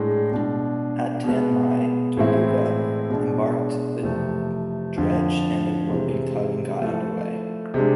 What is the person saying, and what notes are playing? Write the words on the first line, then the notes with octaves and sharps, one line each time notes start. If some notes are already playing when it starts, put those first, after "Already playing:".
At Tan My, "Tortuga" embarked the dredge and a warping tug and got underway.
Already playing: A2 G#3 D4
B2 G#3 D4
B2 G#3 B3
A2 E3 G#3 C4 E4
B2 G#3 D4
F2 C3 E3 A3
F2 D3 F3
C3 E3 G#3 C4
F3 A3 E4 A4
C3 G#3 D4